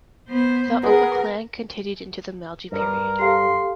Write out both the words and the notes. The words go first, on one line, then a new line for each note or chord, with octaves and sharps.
The Oka clan continued until the Meiji period.
B3 C5
G#4 A#4 B4 F#5
G2 A#4
G4 A4 F5 C6